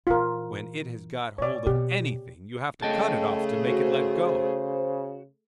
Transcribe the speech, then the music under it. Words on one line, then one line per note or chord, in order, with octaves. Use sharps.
When it has got hold of anything you have to cut it off to make it let go!
A#2 E3 F4 A#4
B2 C#5 D5
B2 G4
C#3 A3 G#4 D#5 G5 A5
F#4 C5